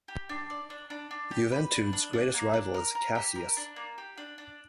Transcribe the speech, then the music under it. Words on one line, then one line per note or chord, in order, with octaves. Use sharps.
Juventude's greatest rival is Caxias.
G4
D4
D5
D4
D4
D4
G4
B4
D4
D4
D4
A#3
D4
A#4
A#4
G4
A#4
D4
A#3
G4
D4
D4